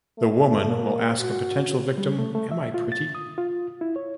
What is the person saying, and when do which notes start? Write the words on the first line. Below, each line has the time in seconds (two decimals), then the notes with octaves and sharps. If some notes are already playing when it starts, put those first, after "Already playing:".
The woman will ask a potential victim Am I pretty?
0.18 A3
0.69 A#3
1.20 F#4
1.98 G3
2.19 A3
2.35 A3
2.51 E5
2.74 F4
2.92 A6
3.15 D#6
3.38 F4
3.81 E4
3.96 C#5